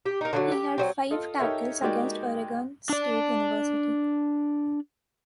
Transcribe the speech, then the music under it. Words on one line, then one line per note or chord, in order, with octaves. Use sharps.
He had five tackles against Oregon State University.
G4
D#4 A#4
D3 F3 F#3
G4
F#3 G3 C4
F4 A4 D#5
D#4 G4 A4 A#4 C#5 E5
G#3 A#3 D#4 F#4 G4 D5
D4 D5